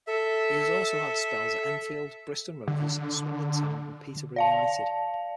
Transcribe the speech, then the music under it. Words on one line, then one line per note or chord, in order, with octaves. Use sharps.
He has also had spells at Enfield, Bristol Rovers, Swindon Town and Peterborough United.
A4 E5
D3
D5 F5 A5